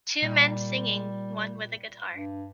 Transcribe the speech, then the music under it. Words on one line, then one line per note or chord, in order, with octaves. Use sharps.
Two men singing one with a guitar.
A#2 G3
G2